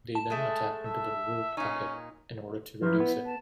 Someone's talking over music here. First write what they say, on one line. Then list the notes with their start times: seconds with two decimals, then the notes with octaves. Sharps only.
They then attacked into the Ruhr Pocket, in order to reduce it.
0.15 A5
0.30 G#3 A3 G#4
0.85 E5
1.57 A#2 C#4 D#4
2.82 F#2 F3 E4 B4
3.00 B3
3.25 A5